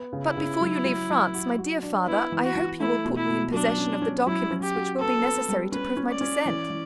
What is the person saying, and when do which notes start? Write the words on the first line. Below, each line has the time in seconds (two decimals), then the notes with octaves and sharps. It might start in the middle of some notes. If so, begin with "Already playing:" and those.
"But before you leave France, my dear father, I hope you will put me in possession of the documents which will be necessary to prove my descent."
Already playing: B3
0.13 C#3
0.25 E4
0.37 C#3
0.61 F#3
0.85 F#3
1.10 F#3
1.34 F#4
1.59 F#4
1.83 D4
2.07 B3 E4
2.32 E3
2.43 F#4
2.55 E3
2.80 A3 E4
3.05 B2
3.16 E4
3.29 B2
3.53 F#3 D4
3.78 C#4
4.02 C#4
4.26 F#3 E4
4.51 C#4
4.62 G4
4.75 F#4
4.99 B3 A4
5.24 B3
5.49 G3
5.72 C#4 B4
5.97 C#4
6.08 D5
6.21 C#4
6.45 E3
6.70 E3